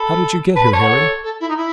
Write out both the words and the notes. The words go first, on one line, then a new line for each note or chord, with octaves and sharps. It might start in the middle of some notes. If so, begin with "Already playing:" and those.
How did you get here, Harry?
Already playing: A4 B5
B4 A5
B5
C#5 A5
F#5
A4
A4
E4
D#4
E4